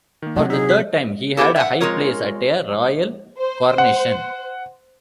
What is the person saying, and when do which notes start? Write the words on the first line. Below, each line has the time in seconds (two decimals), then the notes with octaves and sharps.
For the third time, he had a high place at a royal coronation.
0.22 D#3 A#3
0.36 C3 F#3 A3
0.50 D#4 G#4 E6 B6
0.69 F#6 B6
1.37 B3 E4 G4 A4
1.56 E5 F#5
1.81 G#3 C4 F4 A#4 C#5
3.38 C5
3.78 F#5